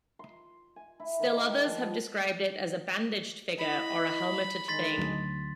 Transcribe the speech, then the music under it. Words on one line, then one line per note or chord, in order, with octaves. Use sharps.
Still others have described it as a bandaged figure or as a helmeted thing.
C6
G#5
E4
D#3
G4
F3
E4 D#5 B5
D#3 G#3 D4 C6 A6 B6
D2 F#3